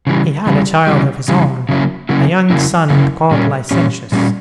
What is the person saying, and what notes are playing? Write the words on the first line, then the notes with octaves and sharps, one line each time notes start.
He had a child of his own, a young son called Licentius.
C#3 E3 G3
C#3 E3 G3
C#3 E3 G3
C#3 E3 G3
C#3 F#3 A#3 C#4 E4
C#3 F#3 A#3 C#4 E4
C#3 F#3 A#3 C#4 E4
C#3 F#3 A#3 C#4 E4
A#2 G3 C#4
A#2 G3 C#4
A#2 G3 C#4